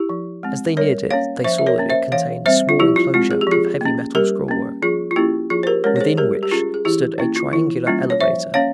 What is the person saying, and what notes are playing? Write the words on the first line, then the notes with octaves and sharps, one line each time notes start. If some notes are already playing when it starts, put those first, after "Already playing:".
As they neared it they saw that it contained a small enclosure of heavy metal scrollwork, within which stood a triangular elevator.
Already playing: E4 G4
F3
G#3 C4
G3 A#4 C#5
A#3 C#4 C#5 F5
F3 C5 E5
E5
A#4 C#5
A#3 C#4
C5 E5
E3 C#5 F5
G3 C4 C5 E5
F4
F3 E4 G4
F4
G#3 C4 F4
G#4
G4
F3 F4 G#4
A#3 C#4
G3 G4 A#4
A#3 C#4
F3 F4 G#4
F4
A#3 C#4 E4 G4
F3 F4 G#4
C5
G4 A#4
G#3 C#4 A#4 C#5
C#5
G#4 C5
G3 G4 A#4
G4
C#4 F4 G#4
G#4
E3 E4 G4
A#3 C#4 E4
F4
E3 E4
G3 A#3 C#4 F4
C#5
F3 C5 E5
A#3 C#4 C#5 F5